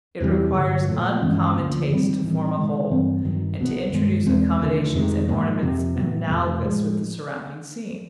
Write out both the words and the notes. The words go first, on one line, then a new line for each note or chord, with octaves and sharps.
It requires uncommon taste to form a whole, and to introduce accommodations and ornaments analogous with the surrounding-scene.
E2 C3 E3 G3
G2 D3 F#3
A#2 F3 A3
G2 E3 G#3 C#4
D2 D3 F3 A#3
G#2 D#3 G3 C4
A2 E3 G3 C4
C3 D#3 G#3
G2 E3 G3 C4
G2 D#3 F#3
C2 B2 F#3 B3
G2 D#3 G#3
E2 B2 G#3 C4
D#2 D3 F3 A3
F2 C3 D#3 G#3
G#2 F3 A#3
F2 C3 F3
A2 F#3 B3
F2 C3 F3 A3
A2 F3 G#3